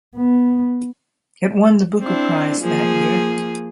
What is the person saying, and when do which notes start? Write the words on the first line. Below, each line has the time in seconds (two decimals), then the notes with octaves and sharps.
It won the Booker Prize that year.
0.16 B3
2.00 C4 D4 E4
2.60 F3 A#3 G#4